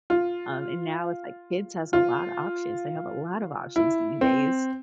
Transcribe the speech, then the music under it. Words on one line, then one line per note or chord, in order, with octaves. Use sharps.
um, and now, it's like, kids has a lot of options; they have a lot of options these days.
F4
F4
E4
C4